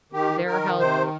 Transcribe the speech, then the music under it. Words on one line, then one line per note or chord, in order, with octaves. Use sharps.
their health
D#3 G4
D#3 A#4
C3 C5